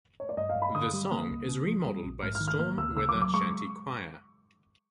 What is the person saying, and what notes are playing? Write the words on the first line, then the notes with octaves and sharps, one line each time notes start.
The song is remodeled by Storm Weather Shanty Choir.
C#5
D5
G2 D#5
F5
G2
B5
D3 D#6
G3
A#3
C#2
C#3
F3
G3
A#1
G#2 F6
F6
D#3
F6
A#3 F6
D2 E6
C#3 E6
D6
F#3
D6
G#3 C#6